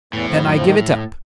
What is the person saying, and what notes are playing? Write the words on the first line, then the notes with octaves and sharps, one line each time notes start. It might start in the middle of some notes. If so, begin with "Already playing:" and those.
"Then I give it up."
E2 A2 E3
F2 F3
G3
F#2 F#3
F2 F3
D#3